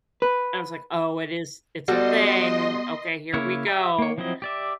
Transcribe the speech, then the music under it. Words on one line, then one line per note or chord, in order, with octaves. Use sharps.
I was like, "Oh, it is it's a thing. Okay, here we go."
B4
G3 B3 F#4 A4 D#5 C6
C#3 A#3 E4 C#5
G4 E5 A#5
A#3 C#5
F3 F#3 C4 E4 D#5
G4 D5 E5